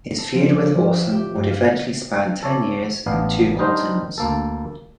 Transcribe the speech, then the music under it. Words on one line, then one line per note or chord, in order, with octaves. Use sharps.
His feud with Awesome would eventually span ten years and two continents.
A4
F3
D5
F3
E5
G4
G2
F5
A4 C#5 D5
A1 B3 D4 F5
G3 D4 D#4 G4 A#4 C5
D2 A#3 A4